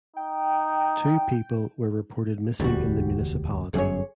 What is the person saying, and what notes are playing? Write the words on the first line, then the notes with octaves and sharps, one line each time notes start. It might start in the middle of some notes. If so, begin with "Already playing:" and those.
Two people were reported missing in the municipality.
D#4 G5
E1 D2 G3 F#4
G1 F#2 G#4 C#5